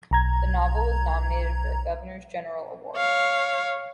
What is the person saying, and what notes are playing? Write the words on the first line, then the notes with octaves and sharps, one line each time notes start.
The novel was nominated for a Governor General's Award.
B1 A#5 G#6
C#5 F5